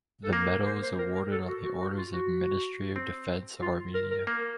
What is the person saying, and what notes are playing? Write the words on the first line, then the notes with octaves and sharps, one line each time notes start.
The medal is awarded on the orders of Ministry of Defense of Armenia.
A4
A#3 A#4
C5
C5
A#4
A#4
A4
F#4
F#4
F#4
F4
F#4
C4
F4
A#4
A#4
A#3